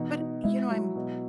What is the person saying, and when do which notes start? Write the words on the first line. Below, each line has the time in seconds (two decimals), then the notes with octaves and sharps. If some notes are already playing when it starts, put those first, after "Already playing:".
But, you know, I'm
Already playing: B2 E3 D#4
0.19 D#4
0.44 G#3 E4
0.70 F#3
0.96 B2